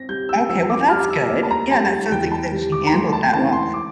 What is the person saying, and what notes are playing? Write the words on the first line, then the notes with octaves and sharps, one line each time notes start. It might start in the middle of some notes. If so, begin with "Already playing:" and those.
Okay, well, that's good. Yeah, that sounds like that she handled that well,
Already playing: C4 A#6
G3 G6
E6
F2 E6
D6
G3 F6
E6
A#3
A5
A#5
G3 A5
E2 G5
A5
G3
D6
A#5
A3 C6
A5
E3 A5
C6
D6